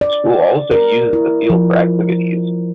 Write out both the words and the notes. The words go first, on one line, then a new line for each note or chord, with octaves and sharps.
The school also uses the field for activities.
D5
A#4
E4
F3